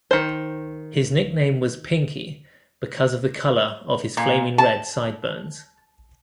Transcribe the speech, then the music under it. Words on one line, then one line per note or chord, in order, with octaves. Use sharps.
His nickname was Pinky, "because of the color of his flaming red "side-burns.
D#3 C5
A#2
A5